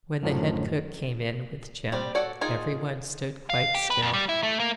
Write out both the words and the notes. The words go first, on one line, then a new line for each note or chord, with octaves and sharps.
When the head cook came in with Jem everyone stood quite still.
F#2 A2 D3 F3 F#3
G3 C4 D5
F#4 A4 C#5 D5
D#4 F4 G#4 A#4 G#5
F5
G4
B4
F2
G3
E4
A3
A#3